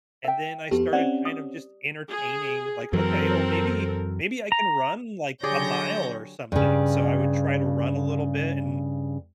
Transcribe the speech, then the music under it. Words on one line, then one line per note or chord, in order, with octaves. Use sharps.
And then I started kind of just entertaining, like, "Okay, well, maybe maybe I can run, like, a mile or something." So, I would try to run a little bit, and
E5 G5
F2 B3 G4 A4
C4 C#4 D5 F#5
D#6
G#4
F#2 E3 F#3 C4 A4 A#4
A#5
D3 F#3 G4 G#4 C#5 D5 G6 A#6
G2 C#3